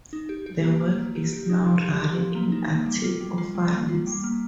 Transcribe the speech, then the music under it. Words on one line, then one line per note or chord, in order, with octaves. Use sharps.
The work is now rare in antique offerings.
D#4
G4
G4
A#3
A#3
A#3
G4
G4
D#4
F3
G4
G4
F3
A#3
D#4
A#3
G3
F4
G3
F4
G3
A#3
F4
G3
A#3